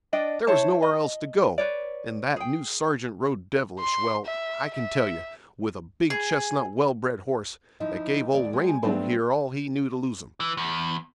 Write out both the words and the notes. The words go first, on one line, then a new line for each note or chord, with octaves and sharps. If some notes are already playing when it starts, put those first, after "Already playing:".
There was nowhere else to go; and that new sergeant rode devilish well, I can tell you, with a big chestnut well-bred horse, that gave old Rainbow here all he knew to lose him.
D4 D5 D#5 G5
E4 C5 C#5 A5
D#5
B4 C#5 D5
G#4 G5
C6
E5
E5
G#4
F3 D#4 E4
D#2 D5
G#3 G4
G#5
F#3 G3 A3 B3 C4 D4
E3
E2